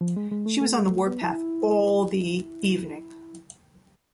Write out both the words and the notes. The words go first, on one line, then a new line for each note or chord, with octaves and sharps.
She was on the warpath all the evening.
F3
G#3
G#3
A3
A3
G#3
A3
B3
E4